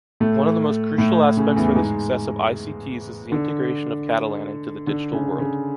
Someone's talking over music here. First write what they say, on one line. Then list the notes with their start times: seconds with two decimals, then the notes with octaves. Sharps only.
One of the most crucial aspects for the success of ICTs is the integration of Catalan into the digital world.
0.20 A2 A3
0.98 A2 A3
1.37 C#3
1.56 E2 E3
1.75 G#2 G#3
3.32 D3
4.87 D3
5.13 C#3
5.39 C#3